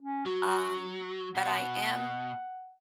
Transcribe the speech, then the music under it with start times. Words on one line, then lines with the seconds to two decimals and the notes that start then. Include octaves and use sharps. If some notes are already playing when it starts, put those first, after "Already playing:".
um, but I am
0.02 C#4
0.26 F#3 F#4
1.35 B2 F#5